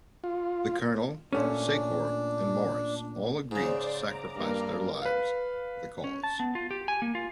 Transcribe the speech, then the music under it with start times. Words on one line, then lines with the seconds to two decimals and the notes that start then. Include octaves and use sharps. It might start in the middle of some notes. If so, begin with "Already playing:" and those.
The Colonel, Secor, and Morris all agree to sacrifice their lives for the cause.
0.24 F4
1.33 A#2 A3 C#4 D4
3.51 G#2 C#3 C5 D5
4.03 A#5 D6
4.36 G2 A#3 A#4
5.02 B4 F5
6.04 C#4
6.23 A5
6.40 B3
6.55 F4
6.71 G4
6.88 G#5
7.02 A#3
7.15 F4